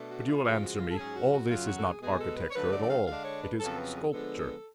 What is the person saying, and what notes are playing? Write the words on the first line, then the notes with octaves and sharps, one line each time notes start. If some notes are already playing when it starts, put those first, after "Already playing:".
But you will answer me, all this is not architecture at all--it is sculpture.
Already playing: B2 A3 D4
F#4
F4
C#3 F3 G#3 F4
F#4
F4
A4
G#2 F#3 C#4 G#4
F#4
F#4
F#2 C#3 F#3 F4
F#4
A4
G#4
B2 G#3 B3 G#4
A4
B4
C#5
D3 F#3 A3 B4
D5
D5
F5
D3 G#3 D4 F5
C#5
B4
F2 C#3 F#3 B3 A4
B4
G#4
D3 F3 G#3 B3 D4 A4